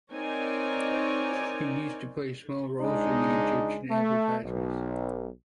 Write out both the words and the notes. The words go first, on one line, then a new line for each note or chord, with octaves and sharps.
He used to play small roles in the Egyptian advertisements.
C4 D#4 A#4 C#5 D5 G#5
C#2 G#3 D4 D#4
A3
B1